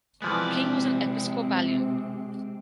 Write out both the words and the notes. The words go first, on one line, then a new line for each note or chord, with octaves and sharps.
King was an Episcopalian.
C3 E3 F3 G#3 B3 C4 D5